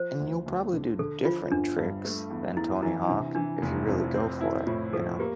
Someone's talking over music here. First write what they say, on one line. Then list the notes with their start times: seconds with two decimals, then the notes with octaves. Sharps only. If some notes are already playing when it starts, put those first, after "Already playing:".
and you'll probably do different tricks than Tony Hawk if you really go for it, you know.
Already playing: F3 C5
0.20 D2
0.46 D2
0.73 D3
0.99 D3 A4
1.25 F3 F4
1.51 G1 D4
1.78 G2
2.05 A3
2.30 E2
2.56 E2 E4
2.83 E3 E4
3.09 C3 D4
3.35 E3 D4
3.62 F1
3.88 F2
4.14 C4
4.41 E4
4.67 A2 F4
4.93 F3 A4
5.20 A#3 G4